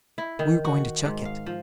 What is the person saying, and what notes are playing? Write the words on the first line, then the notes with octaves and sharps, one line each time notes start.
We're going to chuck it.
E4
D#3
F#4
G#2
F5
F3